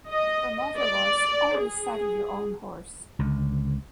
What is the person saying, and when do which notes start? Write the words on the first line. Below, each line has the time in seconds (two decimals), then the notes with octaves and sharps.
Her motto was, Always saddle your own horse.
0.10 D#5
0.78 D5
1.58 G#4
3.19 C#2 D3